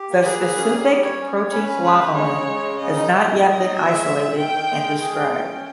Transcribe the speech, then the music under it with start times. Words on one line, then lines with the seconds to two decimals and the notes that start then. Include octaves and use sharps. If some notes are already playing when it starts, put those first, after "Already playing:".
The specific protein glomalin has not yet been isolated and described.
Already playing: G4
0.10 A#3
0.25 G#4 B4
0.41 A#3
0.57 C#4
0.73 G3
0.89 G3
1.04 C#5
1.20 C#4
1.37 C#5
1.52 C#4 B4
1.68 C#4
1.84 C#3 B4
2.00 C#3
2.16 G#3 C#5
2.31 C#3
2.47 G#3
2.64 C#3
2.79 C#3 D#5
2.96 D#4
3.10 G#3 D#5
3.27 A#2
3.43 A#2
3.58 D#4
3.74 A#2 E5
3.90 G#3
4.07 G#3
4.22 A#2
4.38 D#3 G5
4.54 D#3
4.70 G#3
4.86 D#3
5.01 G#4 G5
5.18 G#3
5.33 C#4
5.50 C#4